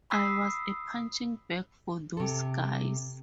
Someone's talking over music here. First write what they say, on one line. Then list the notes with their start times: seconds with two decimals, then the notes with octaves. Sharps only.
I was a punching bag for those guys.
0.10 B5 C#6 D#6 E6 B6 C7
2.17 C3 A4